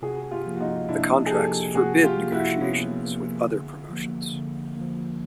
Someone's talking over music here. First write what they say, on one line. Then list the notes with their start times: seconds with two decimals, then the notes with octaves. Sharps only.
The contracts forbid negotiations with other promotions.
0.02 C3 F#4 G#4
0.31 F4 G4
0.46 F3 A#3
0.56 F#4
0.60 D#4 F4
0.89 C3 D4 E4
1.26 G#4
1.31 F3 A#3 G4 A4
1.75 C3 F#4 G#4
2.03 F4 G4
2.18 F3 A#3
2.32 E4 F#4
2.61 C3 B3 C#4
3.05 F3 A#3
3.47 D3
3.90 F3 A#3
4.33 D3
4.76 F3 A#3